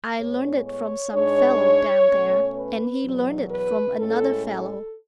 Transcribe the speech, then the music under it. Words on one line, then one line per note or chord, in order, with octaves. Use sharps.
I learn it from some fellow down there, and he learn it from another fellow.
A2 G#3 B3 C#5
C#5
G#2 G#3 D4 C#5
B2 A3 C#4
B4
E2 B2 F#3
B4
A2 G#3 C#4 A4
A4